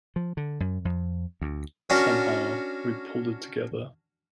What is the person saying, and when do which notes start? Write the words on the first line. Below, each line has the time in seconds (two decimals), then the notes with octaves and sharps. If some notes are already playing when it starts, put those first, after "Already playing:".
Somehow, we pulled it together.
0.16 F3
0.37 D3
0.60 F#2
0.85 F2
1.41 D2
1.90 C#4 D4 F#4 A#4 D5